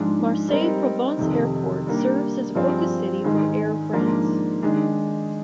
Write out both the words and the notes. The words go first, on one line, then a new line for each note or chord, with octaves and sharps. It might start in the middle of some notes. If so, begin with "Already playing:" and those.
Marseille Provence Airport serves as a focus city for Air France.
Already playing: G#2 F3 G#3 D4
G3 C4 D#4 A#4
F2 C3 D#3
G3 A#3 D4
G2 F3 C4 F4 G#4
G#2 D#3 G#3
G#2 F3 A#3 D4
D#3 G#3 D4